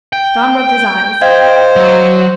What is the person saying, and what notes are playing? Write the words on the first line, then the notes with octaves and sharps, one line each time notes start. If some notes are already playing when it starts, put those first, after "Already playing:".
John rubbed his eyes.
G5
C5 D#5 F5 G#6
F#3